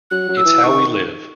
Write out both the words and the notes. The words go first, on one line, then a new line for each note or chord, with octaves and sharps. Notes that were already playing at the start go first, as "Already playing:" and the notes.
It’s how we live.
F#3 F#6
F#3
E6
E3
D#3 C#6